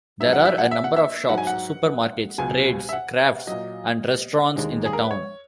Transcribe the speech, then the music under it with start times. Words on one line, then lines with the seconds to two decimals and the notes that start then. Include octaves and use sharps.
There are a number of shops, supermarkets, trades, crafts and restaurants in the town.
0.20 G#2 F#3 E5
0.33 F#5
0.45 E5
0.58 F#5
0.71 E5
0.84 F#5
0.96 E5
1.29 G#2 F#3 F#5
1.38 G#5
1.47 F#5
2.38 C#2 B2 F#3 G#5
2.89 E5
2.93 F#5
3.47 A#2 F#3 D#5
4.56 D#2 D#3 G#3
4.86 G#4
4.93 A#4
5.03 B4
5.11 C#5